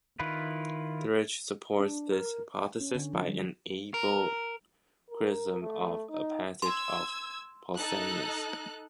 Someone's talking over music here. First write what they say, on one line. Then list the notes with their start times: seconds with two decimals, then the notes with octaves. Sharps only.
Thiersch supports this hypothesis by an able criticism of a passage of Pausanias.
0.19 D#3 E4 F4 B4
1.80 D4
2.12 A#4
2.80 C#4
2.95 D3
3.13 F3
3.28 G3
3.94 A#4
5.09 A#4
5.61 A3
6.09 D#4
6.62 C6 E6 G#6
7.76 D#4 A4 F#6